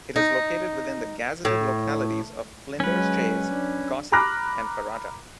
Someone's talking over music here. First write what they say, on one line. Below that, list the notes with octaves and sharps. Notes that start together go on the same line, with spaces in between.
It is located within the gazetted localities of Flinders Chase, Gosse and Karatta.
D#4
A2
F#3 G#3 C#4 B4
D4
A#5 B5 D6 F6 F#6 A#6